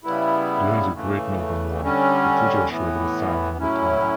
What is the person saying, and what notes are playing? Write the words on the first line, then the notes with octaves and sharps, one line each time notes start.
During the Great Northern War, the Treaty of Schwedt was signed in the town.
C#3 G3 B3 E4
C#3 E3 A3
D3 G3 C#4
A2 E3 B3
A2 F#3 C#4 E4